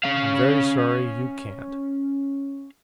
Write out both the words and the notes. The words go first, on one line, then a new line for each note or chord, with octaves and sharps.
"I am very sorry you can't."
C#4 F5